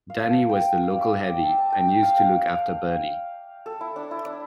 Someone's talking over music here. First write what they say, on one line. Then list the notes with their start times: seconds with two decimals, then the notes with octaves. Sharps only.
Danny was the local heavy and used to look after Bernie.
0.10 F5
0.30 A5
0.49 G5
0.69 G5
0.83 F5
0.91 D5
0.99 E5
1.14 E5
1.29 G5
1.43 A5
1.58 A5
1.72 G5
1.88 G5
2.03 F5
2.17 G5
2.48 F5
3.66 A4
3.81 E4
3.96 D4
4.11 E4
4.26 D4